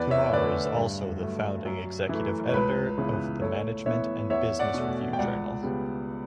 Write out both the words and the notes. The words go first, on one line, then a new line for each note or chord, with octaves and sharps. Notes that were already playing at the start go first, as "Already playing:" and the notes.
Kumar is also the Founding Executive Editor of the Management and Business Review journal.
Already playing: E2 B4 D5
C#5 E5
D3 A3 B4 D5
G2
F#3 A3
F#2
E3 A3
C#5
C#2 B4
C#3 E3 B3
A2 A4 C#5
E3 B3 C#5 E5
E2 C#5 E5
D5 F#5
B2 A3
G5
C#2 D5 F#5
C#3 G3 B3